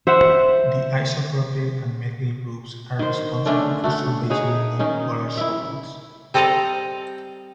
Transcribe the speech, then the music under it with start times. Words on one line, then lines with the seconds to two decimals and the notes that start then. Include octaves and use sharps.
The isopropyl and methyl groups are responsible for solvation in nonpolar solvents.
0.07 C5 E5 F#5
2.99 D#3 C5
3.46 D3 A3 C#4 D4
3.84 A3 F#4
4.30 D#4 F#4 G#4 C#5
4.79 D#3 C#4 D#4
5.37 E4 E5
6.34 G3 C4 A4 D#5 A5 A#5